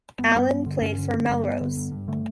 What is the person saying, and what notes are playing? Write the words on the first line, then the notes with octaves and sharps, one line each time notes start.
Allan played for Melrose.
G2 B3
G2
G2
D3
G2 C#4
D3
D3
G2
G2 B3
D3
G2
G2
D3 A3